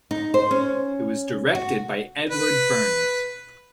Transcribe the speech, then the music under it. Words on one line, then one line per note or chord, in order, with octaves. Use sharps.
It was directed by Edward Bernds.
D#4
C5
C#4
F#4
B4